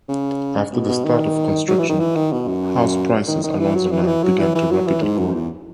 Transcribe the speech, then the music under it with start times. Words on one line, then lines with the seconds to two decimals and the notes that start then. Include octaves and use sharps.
After the start of construction, house prices along the line began to rapidly grow.
0.09 C#3
0.72 B2
0.89 B2
1.05 D#3
1.68 F#3
1.79 E3
1.89 D#3
2.00 E3
2.16 D#3
2.32 B2
2.48 F#2
3.28 D#3
3.44 D#3
3.59 E3
3.75 F#3
3.91 E3
4.02 F#3
4.07 E3
4.23 F#3
4.39 E3
4.55 E3
4.71 F#3
4.87 E3
5.02 G#2
5.19 F#2
5.35 E2